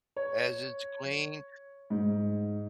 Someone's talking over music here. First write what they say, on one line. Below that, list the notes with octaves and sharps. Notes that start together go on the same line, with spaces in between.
As it's clean,
C#5
G#2